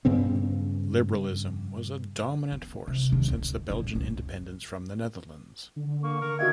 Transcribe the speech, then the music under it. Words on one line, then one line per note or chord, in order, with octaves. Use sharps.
Liberalism was a dominant force since the Belgian independence from the Netherlands.
G2 C#3 B3 C4
B3
C3
D#2 D4
D2
F2 A#2
G1 C#2
D3
A#3 C#6
A#4
D#3 F#4 E5 F5 G#6